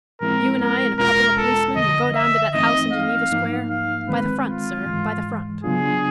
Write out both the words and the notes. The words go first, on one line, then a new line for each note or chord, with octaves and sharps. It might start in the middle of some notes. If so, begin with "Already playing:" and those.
"You and I and a couple of policemen will go down to that house in Geneva Square--by the front, sir, by the front."
A2 F3 G#3 C4 E4 A#4
A#4
E2 B2 G#3 C#4 F4 A#4
A4
F2 D3 F3 D#5
E5
G2 E3 A3 C4 D#4 D#5
F5
G#2 F3 A#3 D#4
F5
D#3 G#3 C4 B4
F4
G#2 E3 G#3
C#3 F#3 B3 D4 F4 G#4